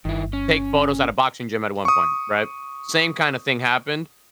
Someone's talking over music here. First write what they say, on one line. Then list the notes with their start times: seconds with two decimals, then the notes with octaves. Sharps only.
take photos at a boxing gym at one point, right? Same kinda thing happened.
0.05 G1 D#3 E4
0.33 C#4
1.85 C#6 D#6